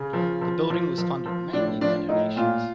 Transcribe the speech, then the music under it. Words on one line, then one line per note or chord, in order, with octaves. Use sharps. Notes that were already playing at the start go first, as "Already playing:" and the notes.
The building was funded mainly by donations.
Already playing: C#3
F3
F3
F3
F3
F3
A2 D4
F3 D4
A2 D#4
A#2 F4